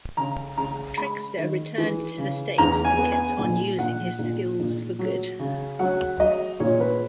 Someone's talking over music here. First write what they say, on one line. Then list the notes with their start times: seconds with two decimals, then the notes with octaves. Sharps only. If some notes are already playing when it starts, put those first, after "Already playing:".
Trickster returned to the States and kept on using his skills for good.
0.17 C#3 A#5
0.57 C#3 A#5
0.97 G#3 B5
1.38 D#3
1.78 E3
2.18 C#3
2.58 E2 A#5
2.85 G#5
2.98 B3
3.12 G#5
3.38 A#2 G#5
3.78 A#2 F#5
4.19 A#2
4.59 A#2
4.99 F#3
5.39 C#3
5.79 F#3 F#5
6.20 F#3 D#5
6.60 A#2 C#5
6.80 B4